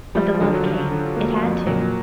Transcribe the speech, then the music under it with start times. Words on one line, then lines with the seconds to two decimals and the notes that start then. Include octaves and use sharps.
But the love came ... it had to.
0.15 F3 G3
0.34 F3
0.41 D3 F#3
0.54 F#3
0.66 D3 G3
0.91 D3
1.16 A#3
1.42 F2
1.66 A#2 F#3